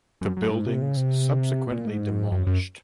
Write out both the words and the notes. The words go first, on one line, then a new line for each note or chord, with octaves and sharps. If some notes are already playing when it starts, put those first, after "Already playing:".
The buildings subsequently demolished.
F#2
F#2
G#2
C3
C#3
C3
A#2
G#2
F#2
F#2